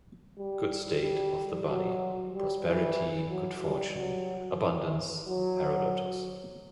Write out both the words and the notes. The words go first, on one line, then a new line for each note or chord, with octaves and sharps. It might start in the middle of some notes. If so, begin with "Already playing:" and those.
Good state of the body: prosperity, good fortune, abundance.-"Herodotus".
G3
G3
F#3
G3
E3
F#3
G3
F#3
E3
F#3